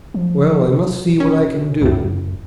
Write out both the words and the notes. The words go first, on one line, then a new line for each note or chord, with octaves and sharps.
Well, I must see what I can do.
F3
B2
C#4
C#2 F#2 A2